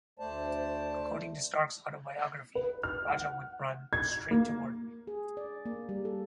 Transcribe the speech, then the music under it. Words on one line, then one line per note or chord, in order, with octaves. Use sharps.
According to Stark's autobiography, Rajah would run straight toward me.
D2 A3 C5 D5 A5
B4
F6
F#5
G#6
A#3
G#4
D5
A#3
G3
A4